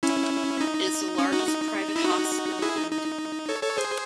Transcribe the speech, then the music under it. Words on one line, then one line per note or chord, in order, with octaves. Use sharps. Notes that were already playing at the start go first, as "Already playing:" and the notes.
It is the largest private hospital in Dublin.
C#4 E4
D#4
C#4
D#4 F#4
D#4
E4
D#4 F#4
E4 G#4
D#4
D#4
A4 C#5
A4 C#5
G#4 C5